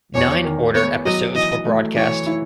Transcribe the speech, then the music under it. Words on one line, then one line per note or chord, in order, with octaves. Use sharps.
Nine ordered episodes were broadcast.
E2 C#5
D#3
B3 C#5
F#3 D#5
E3 D#5
A3
E3 C#5
E4